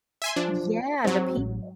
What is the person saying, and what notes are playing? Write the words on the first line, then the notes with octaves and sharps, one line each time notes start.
Yeah, and the people.
E5 G#5 C6
F3 D4
G#2 F#3 C4
A1